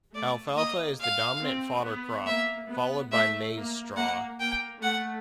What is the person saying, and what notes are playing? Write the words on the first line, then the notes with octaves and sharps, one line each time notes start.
Alfalfa is the dominant fodder crop, followed by maize straw.
A3 D5
A#3 D#5
F5
C4
B3
A#3 E5
B3
A3 E5
A#3
A#3 F#5
A#3 G5
A3 F#5